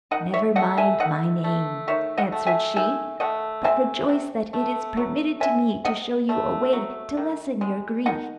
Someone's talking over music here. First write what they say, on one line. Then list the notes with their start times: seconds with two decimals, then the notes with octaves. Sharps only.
'Never mind my name,' answered she, 'but rejoice that it is permitted to me to show you a way to lessen your grief.
0.11 D#3 D#5 F#5
0.34 C#5 E5
0.56 A3 D#5 F#5
0.78 E5 G#5
1.00 D#3 D#5 F#5
1.44 A3
1.88 D#3 C#5 E5
2.18 D#5 F#5
2.32 A3
2.47 E5 G#5
2.76 D#3 E5 G#5
3.20 A3 D#5 F#5
3.64 C3 E5 G#5
4.09 C3
4.53 A3
4.97 F#3
5.40 C3 E5 G#5
5.85 C3 D#5 F#5
6.29 A3
6.73 F#3
7.17 D#3
7.61 G#3
8.06 D#3 D#5 F#5